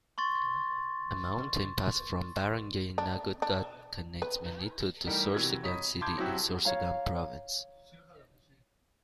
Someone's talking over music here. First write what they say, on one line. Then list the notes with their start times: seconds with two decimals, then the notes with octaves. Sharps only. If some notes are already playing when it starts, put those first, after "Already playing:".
A mountain pass from barangay Nagotgot connects Manito to Sorsogon City in Sorsogon province.
0.18 C6 C#6 A6
2.98 D4
3.42 D4
4.22 B4
5.07 E3 G3 A3 D#4 G4 A#4
5.34 C3 E3 F#4 G#6
5.63 C#5 D#5 A#5 B5 D#6 B6
6.01 A5 B5 C6 D6 G6 G#6
6.18 F#3 C4 E4 F#4 G4
6.65 C#5 F5 A#5